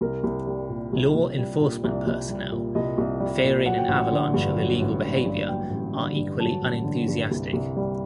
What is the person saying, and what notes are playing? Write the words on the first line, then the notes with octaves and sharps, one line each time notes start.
Law enforcement personnel, fearing an avalanche of illegal behavior are equally unenthusiastic.
C2 A#4
C2
G3
A#2
C2
C2
G3
A#2
C2 D5
C2
G3
A#2
C2 D#5
C2
G3
A#2
F#3 F#5
G5
A1 F#5
D3
G2
F#3
A1
D3
G2
F#3 G5
A1
D3
G2
F#3 A5
A1
D3
G2
C2
C2
G3